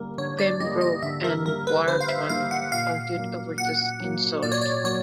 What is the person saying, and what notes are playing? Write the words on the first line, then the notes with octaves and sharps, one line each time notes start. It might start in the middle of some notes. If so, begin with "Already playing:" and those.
Pembroke and Wharton argued over this insult.
Already playing: D3 G3 A#3 A#4
D3 C#5
D5
G3 A#3 D#5
D#5
D3 E5
A#4
G3 A#3 A#4
B4
D3 C5
F5
E5
G3 A#3 F5
F#5
A#2 F5
F#3 A#3
A#2 F#5
F#3 A#3
A#2 D5
C#5
D5
F#3 A#3 C#5